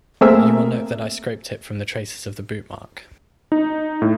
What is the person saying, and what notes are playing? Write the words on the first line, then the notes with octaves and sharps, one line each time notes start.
You will note that I scraped it from the traces of the boot-mark.
A3 A#3 C4 G#4 A#4 E5
D#4
A2